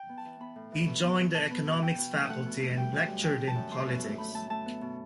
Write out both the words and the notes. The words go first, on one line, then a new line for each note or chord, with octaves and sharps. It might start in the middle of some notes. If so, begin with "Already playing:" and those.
He joined the economics faculty and lectured in politics.
Already playing: G5
B3
A5
E3
B3 B5
A2
E3
B2
B3
B2
B2 A5
B3
B2
B2 G5
B2
A3
A3 F#5
B2
A3
G3 G5
F#2
G3
D3 G5
G3
A5
F#2
A3 C6
B2
A3
A3 B5
A3 A5
A3 A5
B3
B2